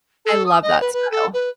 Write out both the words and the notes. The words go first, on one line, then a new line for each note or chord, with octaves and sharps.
I love that style.
A4
D#6
D#5
B4
B4
A4
B4